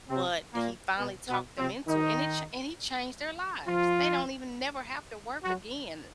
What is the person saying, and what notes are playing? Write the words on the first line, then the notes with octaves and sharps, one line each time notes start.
But he finally talked them into it and it ch and he changed their lives. They don't even never have to work again.
C3 C4
A#2 A#3
B2 B3
B2 B3
C3 C4
D#3 D#4
F3 F4
F#3 F#4